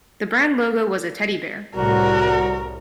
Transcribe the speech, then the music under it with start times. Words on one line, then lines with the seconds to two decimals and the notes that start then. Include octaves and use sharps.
The brand logo was a teddy bear.
1.76 C2 A2 G3 F#4 A#4